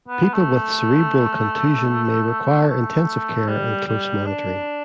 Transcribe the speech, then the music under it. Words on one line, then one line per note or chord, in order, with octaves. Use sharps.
People with cerebral contusion may require intensive care and close monitoring.
B3
A3
A3
G3
G3
D4